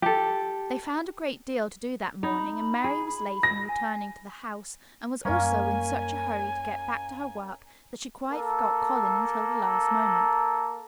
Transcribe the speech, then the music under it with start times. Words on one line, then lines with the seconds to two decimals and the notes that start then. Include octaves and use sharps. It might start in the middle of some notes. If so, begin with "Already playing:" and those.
They found a great deal to do that morning and Mary was late in returning to the house and was also in such a hurry to get back to her work that she quite forgot Colin until the last moment.
0.02 G4 A4
2.23 D#4 B5
2.84 G#4
3.43 A#6
3.69 G#5
5.25 F#2 G3 A#3 C#4 G#5
8.32 A#3 A4